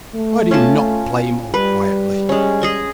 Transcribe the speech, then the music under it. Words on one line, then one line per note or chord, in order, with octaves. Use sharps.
Why do you not play more quietly?
A3
C#4 F4 A5
G3 B4
G#3 C#4
G#4 D#5 G#5